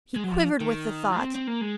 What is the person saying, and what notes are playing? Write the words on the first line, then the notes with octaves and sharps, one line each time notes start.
He quivered with the thought.
G#3
F#3
F3
D#3
C4
C4
A#3
G#3